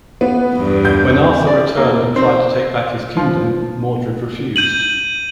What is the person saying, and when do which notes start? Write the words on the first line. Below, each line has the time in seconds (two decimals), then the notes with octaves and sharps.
When Arthur returned and tried to take back his kingdom, Mordred refused.
0.21 B3
0.53 E2 G2
0.85 G6
1.47 D5
1.77 A#3
2.16 C4
3.17 F3
4.56 G6 D#7 F#7